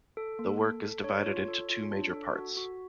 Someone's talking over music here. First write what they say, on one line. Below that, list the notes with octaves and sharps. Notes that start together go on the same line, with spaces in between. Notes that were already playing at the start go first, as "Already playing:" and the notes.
The work is divided into two major parts.
A4
A#3
A4
A4
D4 C#5
F4
A4
F4
D4
A4
F#4
F#4